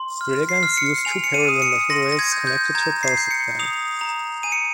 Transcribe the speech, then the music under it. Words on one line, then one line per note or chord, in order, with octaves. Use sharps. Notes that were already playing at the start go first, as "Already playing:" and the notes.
Railguns use two parallel metal rails connected to a power supply.
Already playing: C6
F6
C7
F6
C#7
G#5 F7
C#7
D#7
D#6
C#7
C6 A#6
A#6
G#6
G6
G6
A#5 G#6
C7
G6
C#7
D#6 F7
A#5 F7
G#5 D#7
C#7